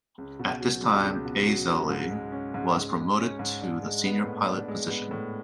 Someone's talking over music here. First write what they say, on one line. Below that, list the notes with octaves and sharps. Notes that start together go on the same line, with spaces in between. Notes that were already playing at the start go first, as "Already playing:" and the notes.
At this time, Eisele was promoted to the Senior Pilot position.
C#2
B2
F#3
C#2
C#2
B2
F#3
C#2
G#2
G#3
C#4
G#2
G#2
G#3
C#4
G#2
D4
G#3
B3
A2
D4
G#3
B3
A2